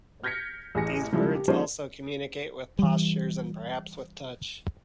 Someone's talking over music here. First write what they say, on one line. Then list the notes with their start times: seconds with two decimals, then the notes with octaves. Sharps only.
These birds also communicate with postures and perhaps with touch.
0.23 F6 G6 G#6 A#6 B6 C#7
0.75 A1 G#4 G#5 A#6 C#7
1.12 C#3 F3 G3 G#3 E4 G4
1.35 G4
1.48 F3 A#3 C#4 D#4 G#4 C5
2.79 E3 G3